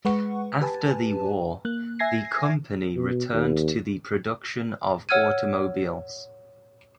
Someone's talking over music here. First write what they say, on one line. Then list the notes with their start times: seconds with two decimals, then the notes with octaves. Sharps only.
After the war, the company returned to the production of automobiles.
0.05 G#3 B4 F#5 C#6
0.61 G4 B4 G#5 A5
1.65 A#3 F#6
1.99 E5 G#5 G#6 A#6 C7
2.96 B2
3.33 D#2
5.09 C#5 F#5 E6 F6 G#6 D#7